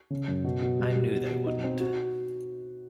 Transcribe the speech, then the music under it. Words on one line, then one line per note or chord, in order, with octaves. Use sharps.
I knew they wouldn't.
C#3
F#2
B2
B2
G3
G3
B2
B2
D#4
C4
F#4